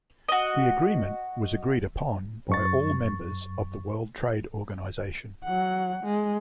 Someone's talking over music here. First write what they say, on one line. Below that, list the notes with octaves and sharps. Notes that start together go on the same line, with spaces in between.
The agreement was agreed upon by all members of the World Trade Organization.
F#4 D#5
F#2 C#6 A6
F#3 F#5
G#3